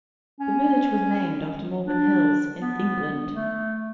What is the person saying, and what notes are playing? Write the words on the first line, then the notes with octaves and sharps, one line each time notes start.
The village was named after Malvern Hills, in England.
C#4
D4
B3
A3